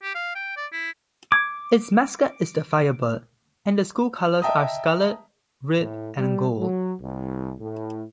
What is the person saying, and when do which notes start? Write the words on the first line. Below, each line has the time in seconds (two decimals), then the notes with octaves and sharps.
Its mascot is the firebird, and the school colors are scarlet, red, and gold.
0.03 G4
0.15 F5
0.35 G5
0.57 D5
0.72 E4
1.32 D6 G#6
4.42 D#5 E5 G5 A5 A#5 D#6
5.78 A2
6.18 G3
6.58 F#3
7.00 C2
7.60 A2